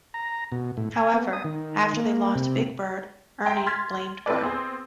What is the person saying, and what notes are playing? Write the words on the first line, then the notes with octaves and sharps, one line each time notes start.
However, after they lost Big Bird, Ernie blamed Bert.
A#5
B2
A2
G#5
B3
D#6
D#3
A#3
C3
E5 G5 A#5 C6
C6 F6 G#6 A6 B6
C4 E4 A4 B4 D5
B3 C4 G#4 C5